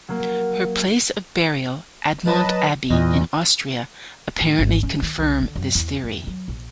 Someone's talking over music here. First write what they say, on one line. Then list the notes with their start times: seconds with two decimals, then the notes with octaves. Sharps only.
Her place of burial, Admont Abbey in Austria, apparently confirm this theory.
0.08 F#3 A#3
2.27 F#3 B4 D#5 A5
2.91 E2 A#2 D#5
4.41 A2
4.59 G#1
4.83 C#4
5.02 D#3
5.18 C2
5.42 D3
5.55 F#2
5.75 E2
6.04 F2
6.27 F#3
6.48 A#1